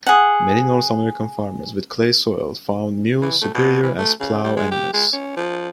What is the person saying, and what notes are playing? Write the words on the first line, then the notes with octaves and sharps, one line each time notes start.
Many North American farmers with clay soil found mules superior as plow animals.
G#4 F#5
E3
A3
B2
E3
A3
C#3
G3
G#3
G4
G#3
C#4
F3